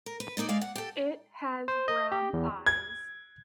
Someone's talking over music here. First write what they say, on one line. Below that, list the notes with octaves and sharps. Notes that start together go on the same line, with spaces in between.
It has brown eyes.
A#4
B4
A#2 A#3 D#4 D5
G#3 D5 F5
F#5
G4 A4
C5
D#5
G4
E2
G#6